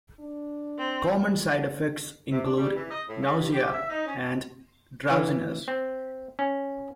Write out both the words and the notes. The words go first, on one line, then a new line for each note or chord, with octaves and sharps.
Common side effects include nausea and drowsiness.
D4
C4
C3
D4
G3
E3
D#5
A2
C#3
G2
G4
E5
D#4
C#4
E3
C4
C#4